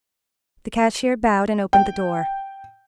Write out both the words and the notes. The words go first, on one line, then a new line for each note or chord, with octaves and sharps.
The cashier bowed and opened the door.
G5